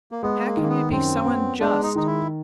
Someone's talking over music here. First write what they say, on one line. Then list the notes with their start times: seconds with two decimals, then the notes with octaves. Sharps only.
How can you be so unjust?
0.12 A#3
0.23 G#3 B3
0.45 A#3
0.57 D#3
0.62 A#3
0.68 B3
0.91 F#2 C4
1.25 B3
1.60 G#3 D4
1.83 D#4
1.95 D#3 D#4
2.07 E4